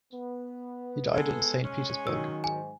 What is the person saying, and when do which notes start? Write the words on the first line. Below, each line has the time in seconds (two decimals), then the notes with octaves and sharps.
He died at Saint Petersburg.
0.13 B3
1.12 G#3 A4
1.63 G#3 C#4
2.07 D#3 F#3 E6
2.44 G#2 G#5